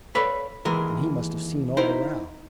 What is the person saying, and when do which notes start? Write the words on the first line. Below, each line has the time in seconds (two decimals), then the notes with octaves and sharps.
"Then he must have seen all the row."
0.15 A4 B4 C#5 D5 F5 B5
0.65 D#2 E3 G#3 A#4
1.77 D#4 E4 A#4 C5